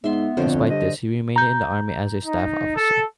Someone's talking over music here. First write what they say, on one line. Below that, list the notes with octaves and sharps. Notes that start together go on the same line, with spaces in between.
Despite this, he remained in the army as a staff officer.
G#2 B3 E5 C6
F2 D3 C5 C#5
G2 D#5
A#5 G6
D#4
A4